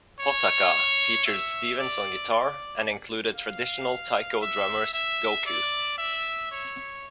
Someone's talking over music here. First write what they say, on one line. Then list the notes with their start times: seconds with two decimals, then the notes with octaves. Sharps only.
"Hotaka" featured Stevens on guitar, and included traditional Taiko drummers Gocoo.
0.20 C#5
1.26 E5
1.78 D5
2.30 D5
3.35 F5
4.41 E5
4.94 E5
5.46 D5
5.98 E5
6.52 C#5